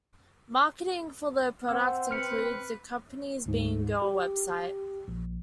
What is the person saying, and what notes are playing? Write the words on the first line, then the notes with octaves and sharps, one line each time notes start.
Marketing for the product includes the company's BeingGirl website.
C4 F#5 E6
B4 F6 C#7
D2 G#2
G4
A#1